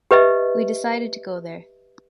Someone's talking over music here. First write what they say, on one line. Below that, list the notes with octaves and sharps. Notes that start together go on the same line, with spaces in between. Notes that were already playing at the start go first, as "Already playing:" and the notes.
We decided to go there.
G4 B4 D#5 E5